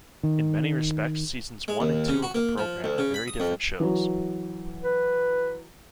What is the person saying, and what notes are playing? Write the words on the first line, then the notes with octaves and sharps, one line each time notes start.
In many respects seasons one and two of the program are very different shows.
D#3
G#3
D#2
C#3
F#4
A#3
F3
D2
C#3
B5
D#6
F2
E3 F#3
B4